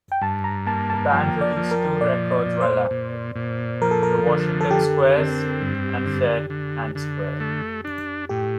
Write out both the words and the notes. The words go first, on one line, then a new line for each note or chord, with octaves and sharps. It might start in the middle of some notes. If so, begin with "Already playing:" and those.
The band released two records while active; "The Washington Squares" and "Fair and Square".
G5
G2 A5
A#5
A#3 A5
A5
F3 G5
D5
F3
A#4
A#2 D5
D5
A#2
C5
A#2
A#2
F3 A#4
A4
A#4
D3
A4
D3 G4
C4
G2
D3
D3
D3
A3
D4
A2 G4